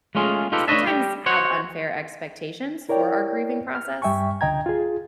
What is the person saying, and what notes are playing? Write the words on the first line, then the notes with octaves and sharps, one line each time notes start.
sometimes have unfair expectations for our grieving process.
G#3 A3 C#4 F4 G#4
D#4 F4 G4 A4 B4
A3 D4 B4 C#5 D#5 E5
G3 G4
F#4 C5 C#5 D#5 F#5
E4 A#4 C#5 D5 G5
F6
G2 G3 E5 G5 G#5 C#6
C#2 D3 D#5 G5 A#5 G#6
F4 G#4